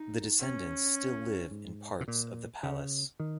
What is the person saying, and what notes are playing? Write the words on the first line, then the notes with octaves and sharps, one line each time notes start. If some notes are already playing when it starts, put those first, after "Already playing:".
The descendents still live in parts of the palace.
Already playing: D#4
C#4
G#2
C3
A#2
C#3
D#3